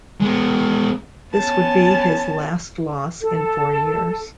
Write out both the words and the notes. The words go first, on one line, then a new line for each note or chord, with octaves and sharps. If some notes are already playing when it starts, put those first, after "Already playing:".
This would be his last loss in four years.
G#3 B3
B3 C#4 A5
A4